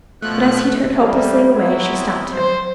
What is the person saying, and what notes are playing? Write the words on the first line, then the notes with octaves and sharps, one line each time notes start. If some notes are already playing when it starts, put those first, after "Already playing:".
But as he turned hopelessly away, she stopped him.
B2 F3 A3 F#6
E3 G3 A3 A#3
F#3 B3 C4 E4
C5